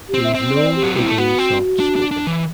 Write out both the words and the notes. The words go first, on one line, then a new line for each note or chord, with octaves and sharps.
He is known for being soft-spoken.
G4
C4
E5
C4
D5
G4
F#3
G3 E4
A3
B3 F#4
C4
D4
D4
D4
E3